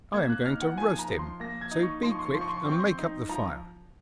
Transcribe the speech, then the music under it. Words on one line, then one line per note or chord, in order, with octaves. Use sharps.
I am going to roast him, so be quick and make up the fire!'
A#3 G#6
F#6
D#4 F6
F#5
F3 G#5
A#5
F3
C6
A#3 A#6
G#6
D#4
C#6
F3 C6
C#6
C6
C#6
F3 C6
C#6
C6
C#6
C4 C6
C#6
C6
D#4
F3 A#5